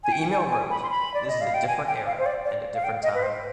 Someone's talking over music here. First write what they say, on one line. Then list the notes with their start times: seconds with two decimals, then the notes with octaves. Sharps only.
The email wrote, This is a different era and a different time.
0.04 G#5
0.12 G5
0.32 G#5
0.51 G#5
0.71 B5
0.83 C6
0.90 B5
1.14 D5
1.28 D#5
1.41 F5
1.54 G5
1.67 G#5
1.87 G5
2.06 F5
2.18 C5
2.26 D5
2.45 D5
2.74 F5
2.84 G5
3.03 D#5
3.15 B4
3.23 C5